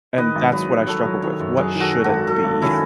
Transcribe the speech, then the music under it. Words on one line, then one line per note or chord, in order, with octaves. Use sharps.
And that's what I struggle with. What should it be?
D#3 B4 D#5
G#1
F#3 B4 D#5
D#3
F#3 A4 C#5
F#3
D#3 A4 C#5
F#2
F#3 G#4 B4
D#3
F#4 A4
D#3
G#1 F#4 A4
F#3 F#4 A4
G#1
D#3 C#4 E4